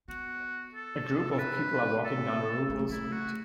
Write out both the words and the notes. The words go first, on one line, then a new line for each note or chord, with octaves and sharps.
A group of people are walking down a rural street.
B3 F#4
A4
A4
B4
A3 A4
A3
F#3
A3 E4
F#4